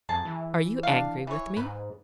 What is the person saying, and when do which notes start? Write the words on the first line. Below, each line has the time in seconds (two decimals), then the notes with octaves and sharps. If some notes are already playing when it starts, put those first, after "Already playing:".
Are you angry with me?'
0.09 F2 G#4 A5
0.25 E3
0.83 D4 F5
1.27 E3 C#5
1.57 G#2 B4